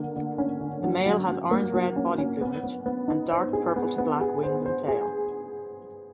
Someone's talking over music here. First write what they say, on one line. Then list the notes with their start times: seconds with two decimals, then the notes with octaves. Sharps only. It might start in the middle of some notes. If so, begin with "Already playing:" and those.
The male has orange-red body plumage, and dark purple to black wings and tail.
Already playing: D3 A#3
0.16 D3
0.38 C#4
0.61 D3
0.84 F#3
1.06 F#3
1.29 F#3
1.51 A#3
1.74 F#3
1.96 C#4
2.18 C#4
2.41 B3
2.63 B3
2.86 B3
3.08 D#4
3.31 C5
3.53 G#4
3.76 B3
3.98 B3
4.21 G#4
4.43 C5
4.66 C5
4.88 G#4